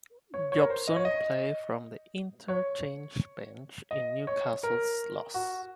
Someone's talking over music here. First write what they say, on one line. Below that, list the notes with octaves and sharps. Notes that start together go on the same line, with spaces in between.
Jobson played from the interchange bench in Newcastle's loss.
C#5
C#5
A#4
C5
D#5
C#5
D#5
C#5
D#5
C#5
A#4
F#4